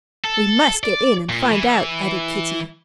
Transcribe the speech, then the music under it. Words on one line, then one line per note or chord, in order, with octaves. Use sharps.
"We must get in and find out," added Kitty.
A4
D5
A#2
E3